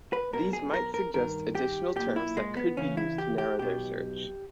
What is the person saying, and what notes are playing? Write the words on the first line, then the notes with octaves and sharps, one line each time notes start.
These might suggest additional terms that could be used to narrow their search.
B4
B1 B2 A#4
G#4
A#4
A#4
G2 D#3 A#4
G4
B1 A#2 G4
E4
G#3
B3
E2 C#3 E3 C#4
E4
G4
G4
B1 B2 G4